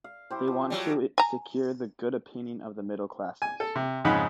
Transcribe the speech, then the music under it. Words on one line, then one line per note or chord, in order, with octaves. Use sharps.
They want to secure the good opinion of the middle classes.
F5
E4 G4 C5
F3
F#3 G3
G#5 A#5
G#5
A4
C3
F2 G#2 C#3 D#4 F#5 B5